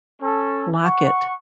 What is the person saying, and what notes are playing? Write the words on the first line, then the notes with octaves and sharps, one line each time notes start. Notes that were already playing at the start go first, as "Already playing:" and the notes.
Lock it.
C#4 A4
F#5 C#6